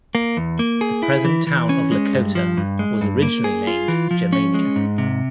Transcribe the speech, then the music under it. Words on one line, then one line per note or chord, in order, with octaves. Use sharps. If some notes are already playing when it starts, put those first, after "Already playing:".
The present town of Lakota was originally named Germania.
A#3
E2
A#3
G#4
E4
E3
E3
C#4
G#3
G2
F3
G2
G#3
G2
A#3
G#4
F4
E3
F3
C#4
G#3
G#2
C3